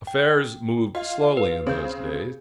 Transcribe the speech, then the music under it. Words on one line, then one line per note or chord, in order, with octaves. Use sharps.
Affairs moved slowly in those days.
G5
F4 D#5
B4
C#3 C4 G#4 G6